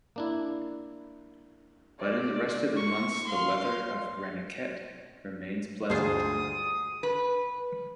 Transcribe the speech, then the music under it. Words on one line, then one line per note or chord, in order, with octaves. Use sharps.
But in the rest of the months the weather of Ranikhet remains pleasant.
A#3 D4 E4
D5
C#6
F5 C6
D2 G2 F4 G#4 C5 D#6
B4